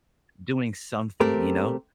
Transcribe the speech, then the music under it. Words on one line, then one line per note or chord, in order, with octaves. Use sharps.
doing something, you know,
A3 C4 G4 A#4